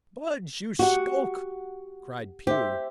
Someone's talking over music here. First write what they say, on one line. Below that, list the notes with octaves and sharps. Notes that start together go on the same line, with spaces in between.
"Budge, you skulk!" cried Pew.
F#4 G4 F#5
G4 C5 E5